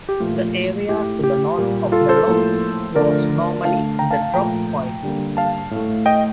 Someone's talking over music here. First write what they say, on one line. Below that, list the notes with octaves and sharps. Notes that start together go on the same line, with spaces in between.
The area to the North of the loch was normally the drop point.
G4
A#2 F3 A3 F4
A2 A3 G4
G4
A#2 G3 A#3
F4 A4
A4 C5
A2 F3 A#3
D3 F3 A3 A#4 D5
D3 A3 F5 A5
G5 A#5
F5 A5
F5 A5
A#2 F3 A3 G5 A#5
D3 G3 A#3
F5 A5
A2 A3
D#5 G5